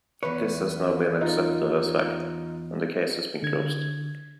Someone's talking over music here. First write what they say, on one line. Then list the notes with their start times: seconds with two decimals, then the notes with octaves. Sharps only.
This has now been accepted as fact, and the case has been closed.
0.23 E2 B4 C#5
1.21 D#4 F4
3.43 D3 G#6